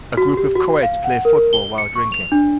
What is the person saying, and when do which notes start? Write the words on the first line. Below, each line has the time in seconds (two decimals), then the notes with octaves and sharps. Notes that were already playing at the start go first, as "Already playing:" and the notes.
A group of coeds play football while drinking.
0.17 F#4
0.37 G4
0.55 F#4
0.83 F5
1.04 F#5
1.25 A#4
1.53 G7
1.78 C#7
1.96 C#6
2.12 F7
2.32 D4